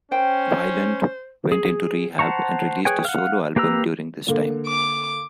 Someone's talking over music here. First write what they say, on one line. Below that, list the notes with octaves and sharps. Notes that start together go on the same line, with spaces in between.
Weiland went into rehab and released a solo album during this time.
C#4 C5 G5
G#4
C5 F#5 A5 A#5 C#6
G#4 B4 C#5 G5 G#5
F5 F#5
A#3 G4 B4 A#5 E6
D3 A#3
D6